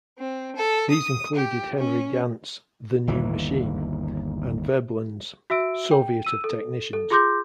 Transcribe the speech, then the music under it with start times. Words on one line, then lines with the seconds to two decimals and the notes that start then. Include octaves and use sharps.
These included Henry Gantt's "The New Machine" and Veblen's "Soviet of Technicians".
0.18 C4
0.55 A4
0.91 D#6
1.35 G4
1.78 C#4
3.07 G1 D#2 E3
5.50 F#4 E5 E6 D7
5.91 G5
6.25 E6 D#7
6.44 A4
6.93 A4
7.10 F4 G#4 C6 D6 G6 A#6